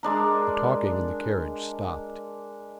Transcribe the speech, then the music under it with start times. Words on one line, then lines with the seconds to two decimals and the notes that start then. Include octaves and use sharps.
The talking in the carriage stopped.
0.03 G#3 D4 A#4